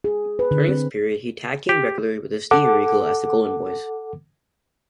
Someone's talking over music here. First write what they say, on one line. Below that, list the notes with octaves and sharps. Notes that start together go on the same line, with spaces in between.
During this period, he tag teamed regularly with Steve Regal as The Golden Boys.
G#4
B4
D3
C4
G4
A4 F#5 D6